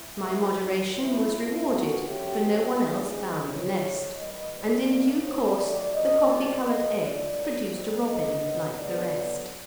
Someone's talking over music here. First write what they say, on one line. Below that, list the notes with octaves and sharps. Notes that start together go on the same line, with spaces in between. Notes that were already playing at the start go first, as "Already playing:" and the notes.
My moderation was rewarded, for no one else found the nest, and in due course the coffee-coloured egg produced a robin like the rest.
Already playing: E4
E3 G#3 C4 D#4
A#2 F3 A#3 D#4
F3 G#3 C#4 E4
F3 A#3 D#4 F4
A#2 F3 G#3 B3 F#4
D3 F#3 A3 C#4 G4
F3 G#3 C#4
C3 E3 G#3 B3 D4 G#4
C3 E3 G#3 C4 D#4
D#3 G3 C4 D#4 C#5
D3 F3 G#3
E3 G3 A#3 D#5
E3 G3 C4 D5
C3 F3 A#3 D#4
B2 G3 C4 C#5
D#3 F#3 A3 D5
C3 F3 A#3 C#4 D#5
F3 G#3 C4 D5
C#3 F#3 B3 D#5
A2 F3 A3 D4 D5
B2 F#3 A#3 C#4
E3 G3 C4 D#4 D5
D3 G3 A#3 D#4 D#5
B2 F#3 B3
B2 G#3 B3 D4 D5
D3 F#3 B3